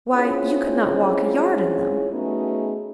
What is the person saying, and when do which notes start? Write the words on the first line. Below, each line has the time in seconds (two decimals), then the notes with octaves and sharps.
'Why, you could not walk a yard in them!'
0.15 C4 C#4 E4 F4 G#4 C#5
2.11 A3 B3 C#4 D#4 F#4 G#4